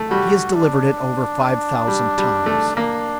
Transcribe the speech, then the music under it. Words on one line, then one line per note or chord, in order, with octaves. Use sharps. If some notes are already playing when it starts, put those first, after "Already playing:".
He has delivered it over five thousand times.
Already playing: A3
G3 F#4
D4
G3
G3
A3
A#3 D4